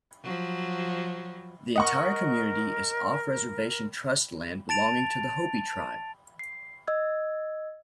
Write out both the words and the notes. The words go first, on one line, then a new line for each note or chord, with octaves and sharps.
The entire community is off-reservation trust land belonging to the Hopi tribe.
F3 F#3
A#4 D#5 F#5 C#6
A5 A6 D7 F7
C7
D#5 E6 G#6